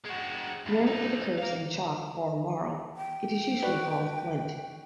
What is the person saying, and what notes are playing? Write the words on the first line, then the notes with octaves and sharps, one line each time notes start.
Where it occurs in chalk or marl, it is usually called flint.
G#3 F#4
E2 G2
F#3 D#4
A#4 F5
G5
F#4 B4 D5